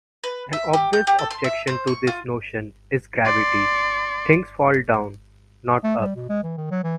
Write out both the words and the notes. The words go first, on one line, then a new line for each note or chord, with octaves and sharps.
An obvious objection to this notion is gravity: things fall down, not up.
B4
E5
G4
G6
G4
A4
C6
E5
C5
C#6
F4
D5 C6
A3
G3
B2
G#3
E3
D#3
F#3
E3